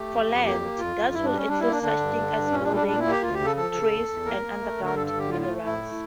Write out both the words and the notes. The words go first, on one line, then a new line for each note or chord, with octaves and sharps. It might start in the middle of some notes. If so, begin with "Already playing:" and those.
For land, that would include such things as buildings, trees, and underground minerals.
Already playing: A3 G4
F2
F2
A#3 G4
A#3
F2 F4
F2
G2 E4
D4
G3 C#4
G3 D4
E4
A#3
D4
D3 D4
G2
D3
G2
A#2 C#4
D4
G3
D4
A#2 D4
E4
A#3
G4
D2 F4
G4
C#3
A4
F3 A4
C#3
E2
E2
A#3 A#4
A#3
A3
D3
A#4
G2 A4
A4
D3
G4
A2 F4
F4
A3
A2 E4
A3